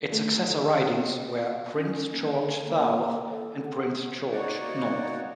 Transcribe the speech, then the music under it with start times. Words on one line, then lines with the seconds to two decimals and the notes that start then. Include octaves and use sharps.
Its successor ridings were Prince George South and Prince George North.
0.12 A3
1.76 C#4
2.12 A#3
2.29 D3
2.65 A#3
3.30 A4
3.65 F#5
4.32 A#3 D#4 F#4 C#5 D5 F#5